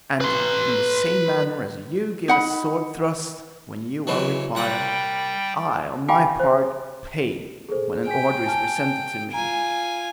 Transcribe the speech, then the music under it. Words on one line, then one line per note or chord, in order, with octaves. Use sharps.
And, in the same manner as you give a sword-thrust, when you are required, I, on my part, pay when an order is presented to me.
B4 C6
D#4 F#5 B5
C#3 E3 F#3
C2 G3 F#5 G5 A#5
G4 F5 G5 G#5 B5 D6
C5
G#4 A4 C5
G5 G#5 B6
G#5 A5 F6
F4 G#5 A#5 D7